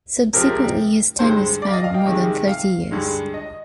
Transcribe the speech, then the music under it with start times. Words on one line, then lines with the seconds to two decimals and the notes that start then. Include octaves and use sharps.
Subsequently his tenure spanned more than thirty years.
0.33 C3 F3 G#3 A#4
1.19 G2 D3 G#3 C5
1.62 D5
1.68 F5
1.74 D#5
1.84 F5
1.94 G5
2.05 C3 D#3 G#3
2.48 F5
2.91 G2 D3 G#3
3.34 D#5